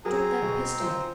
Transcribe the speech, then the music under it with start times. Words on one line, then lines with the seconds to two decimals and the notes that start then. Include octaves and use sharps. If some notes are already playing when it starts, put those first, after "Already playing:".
"Drop that pistol!"
0.05 F#3 C4 G#4 A#4 G#5 A#5
0.42 B2
0.80 F4 C5